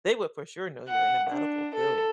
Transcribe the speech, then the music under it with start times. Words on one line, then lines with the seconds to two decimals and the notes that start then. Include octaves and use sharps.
They would, for sure, know you're in a medical field.
0.89 F#5
1.30 D4
1.76 A4